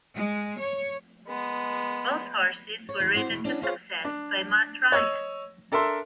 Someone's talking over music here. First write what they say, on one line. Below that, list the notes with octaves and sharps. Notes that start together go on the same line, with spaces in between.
Both horses were ridden to success by Matt Ryan.
G#3
C#5
G#3 B3
C#5
E2
C4 F#4 G4 C5
E2 B2
B3 C#4 D4
F4 G#4 C5 C#5 F5
D4
C#5 D#5 C#6 E6
D4 A4 A#4 E5 C6